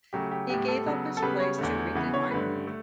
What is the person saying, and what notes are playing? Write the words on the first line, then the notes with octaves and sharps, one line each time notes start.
He gave up his place to Ricky Martin.
C#3 F#3 A3 G4
G4
A2 G3 B3 G4
A4
C#3 F#3 B3
A4
C#3 G3 B3 B4
C#5
E2 D3 A3
C#3 E3 B3
C#5
G2 D3 A3 B4
A3